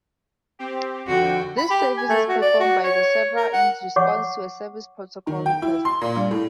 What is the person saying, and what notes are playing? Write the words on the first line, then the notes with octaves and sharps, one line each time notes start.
This service is performed by the server in response to a service protocol request.
C4 G4
F2 D3 F#4 G5
B5
G4
G#5
A3
F#4
D5
F#4
C#5
A#4
F#5
C#5 F#5 C#6 D6
D#3
G5
E4
C6
A#2
G2
A2